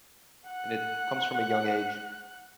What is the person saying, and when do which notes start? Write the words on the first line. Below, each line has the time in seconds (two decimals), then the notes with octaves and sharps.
and it comes from a young age-
0.47 F#5 F#6